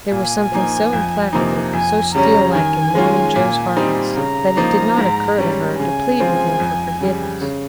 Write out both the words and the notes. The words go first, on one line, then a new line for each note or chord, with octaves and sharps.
There was something so implacable, so steel-like in Mormon Joe's hardness that it did not occur to her to plead with him for forgiveness.
A#2 G#5
F3 A#3 D#4
F2
C3 F3 A#3 D#4
F2 G#5
C#3 G3 C#4 A#5
D#3 G#5
G#3 C#4 F4
A#2
G3 C4 D#4
C#3 A#5
F3 A#3 D#4
G#2
G3 C#4
C#3 G#5
F3 G#3 C4 F4
F2
C#3 G3
C#3